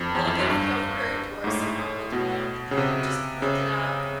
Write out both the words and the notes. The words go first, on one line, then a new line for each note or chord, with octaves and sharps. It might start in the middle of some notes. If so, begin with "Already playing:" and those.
a little bit of yogurt or some almond milk, and just blend it up.
Already playing: F2
E2
F2
F#2
G2
G#2
A2
B2
C#3
C3
C#3